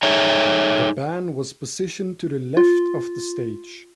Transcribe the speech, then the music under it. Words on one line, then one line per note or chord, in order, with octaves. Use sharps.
The band was positioned to the left of stage.
D#4 G#4 A4 C#5 E5 A#5
F4